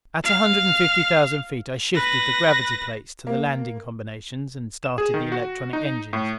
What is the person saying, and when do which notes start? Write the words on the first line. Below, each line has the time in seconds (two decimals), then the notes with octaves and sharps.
At a hundred and fifty thousand feet I shifted the gravity plates to the landing combinations, and started the electronic engines.
0.24 F5
1.95 B4 A#6
3.27 A#3
4.84 E7
4.98 G#4
5.14 D#3
5.32 F#4
5.73 D#4
6.13 A2